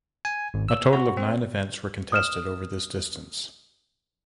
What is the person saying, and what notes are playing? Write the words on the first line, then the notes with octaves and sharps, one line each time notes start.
A total of nine events were contested over this distance.
G#5
G#1
E6
F#4
C4
D#6 F6 E7